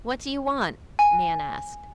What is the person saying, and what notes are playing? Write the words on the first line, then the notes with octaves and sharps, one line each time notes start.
"What do you want?" Nan asked.
G#5